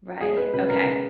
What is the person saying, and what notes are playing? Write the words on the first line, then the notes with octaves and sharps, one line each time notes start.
Right. Okay.
G#3 G#4
G#3 B4
C#3 B4
C#3 A#4
C#3